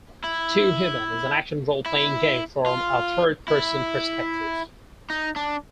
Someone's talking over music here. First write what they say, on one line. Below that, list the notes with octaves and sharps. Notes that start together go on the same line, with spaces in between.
"Too Human" is an action role-playing game from a third-person perspective.
E4
E4
F4
E4
D#4
D4